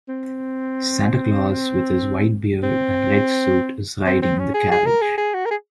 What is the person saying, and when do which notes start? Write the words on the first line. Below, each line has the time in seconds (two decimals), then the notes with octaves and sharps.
Santa Clause with his white beard and red suit is riding in the carriage.
0.09 C4
2.63 C4
4.06 C4
4.22 C4
4.39 C#4
4.54 G#4
4.71 G#4
4.86 A#4
5.02 G#4
5.18 G#4
5.34 F#4
5.46 A#4
5.51 G#4